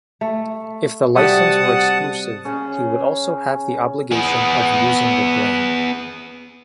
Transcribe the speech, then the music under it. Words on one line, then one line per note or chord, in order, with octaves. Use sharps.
If the license were exclusive, he would also have the obligation of using the brand.
A3
C3 G3 F#4 F#5 A5 D#6
C#3 C#4
B3 G#4